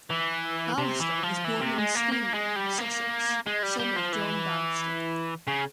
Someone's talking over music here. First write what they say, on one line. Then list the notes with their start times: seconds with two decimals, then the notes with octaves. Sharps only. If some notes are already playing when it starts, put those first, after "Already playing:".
Bannister was born in Steyning, Sussex, son of John Bannister.
0.10 E3
0.78 C3
1.00 E3
1.23 F3
1.45 E3
1.61 C3
1.78 G#3
1.95 A#3
2.12 A#3
2.34 G#3
2.56 G3
2.78 A#3
3.47 G#3
3.63 G3
3.79 G3
3.96 F3
4.13 E3
5.47 C#3